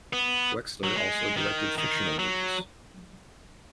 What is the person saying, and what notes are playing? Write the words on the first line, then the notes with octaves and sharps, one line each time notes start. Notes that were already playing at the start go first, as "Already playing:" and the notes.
Wexler also directed fictional movies.
B3
F#3
G#3
D#3
D#3
F#3